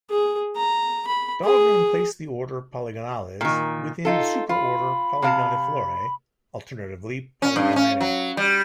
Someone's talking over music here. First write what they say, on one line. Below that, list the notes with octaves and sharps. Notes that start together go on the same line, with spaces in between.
Dahlgren placed the order Polygonales within the superorder Polygoniflorae, alternatively Polygonanae.
G#4
A#5
B5
G#4
A#2 D#3
D#4 F4 A4
F4 B5
C3 F5 A5
C#4
G2
C#4
F#3
G3